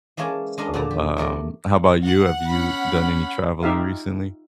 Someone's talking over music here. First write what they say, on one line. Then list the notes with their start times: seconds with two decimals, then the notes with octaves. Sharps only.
So, um, how 'bout you? Have you done any traveling recently?
0.17 E3 G#3 A#3 C#4 G#4 A5
0.58 G#3 D4 A#4 D#5
0.74 A#2 D3 D5 A5 A#5
0.91 G4
1.17 E2 A3 A#4 D5
2.05 F#5
2.46 C#4 B5
3.63 D#4 F4 G4 E5 F5